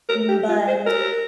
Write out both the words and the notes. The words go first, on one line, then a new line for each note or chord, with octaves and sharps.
Mm, but
A#4
G4
F4
C5
A#4